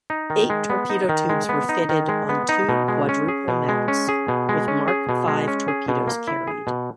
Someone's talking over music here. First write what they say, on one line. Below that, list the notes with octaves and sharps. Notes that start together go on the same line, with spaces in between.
Eight torpedo tubes were fitted on two quadruple mounts, with Mark Five torpedoes carried.
D#4
D#3
G#3
B3
D#4
D#3
G#3
B3
D#4
D#3
G#3
B3
D#4
B2
G#3
C#4
G#4
B2
G#3
C#4
G#4
B2
G#3
C#4
G#4
B2
G#3
C#4
G#4
B2
A#3
E4
G#4
B2